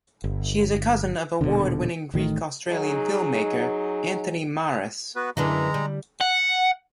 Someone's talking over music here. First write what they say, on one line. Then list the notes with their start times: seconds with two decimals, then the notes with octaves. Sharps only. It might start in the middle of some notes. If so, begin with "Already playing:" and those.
She is a cousin of award-winning Greek Australian filmmaker Anthony Maras.
0.24 G1
1.41 D#1 A#1 B2 D3
2.14 A1 D#3 G#3 A3
2.67 F#3 D#4 G#4
5.16 B3 F#4 B4
5.37 F#2 D3 E3 G#3 D4 A#5
5.74 G3
6.21 F#5